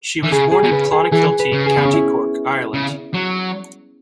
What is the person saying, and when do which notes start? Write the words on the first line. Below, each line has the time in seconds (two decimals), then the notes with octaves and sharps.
She was born in Clonakilty, County Cork, Ireland.
0.24 E3
0.32 C#3 G#4
0.51 G#4
0.64 B2
0.72 C#3 B4
0.92 G#4
1.12 E3 G#4
1.39 B4
1.53 C#3
1.66 G#4
1.77 B3
1.85 C#4
1.93 E4
2.74 C#3
3.14 F#3